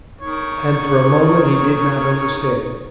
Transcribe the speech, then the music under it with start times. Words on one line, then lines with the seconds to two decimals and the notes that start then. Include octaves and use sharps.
And for a moment he did not understand.
0.21 D#3 C#5